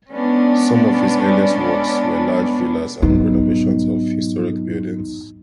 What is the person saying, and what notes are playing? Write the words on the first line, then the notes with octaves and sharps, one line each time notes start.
Some of his earliest works were large villas and renovations of historical buildings.
G#3 B3 C#4 D4
G#2 F#3 B3 D#4